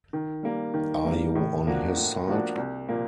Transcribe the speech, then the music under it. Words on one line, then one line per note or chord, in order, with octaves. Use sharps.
Are you on his side?
D#3
G3 A#3
D#3
G3 A#3
A2
F3 A#3 D4 F#4
A2
F3 A#3 D4 F#4
C2
A#2 F3 A#3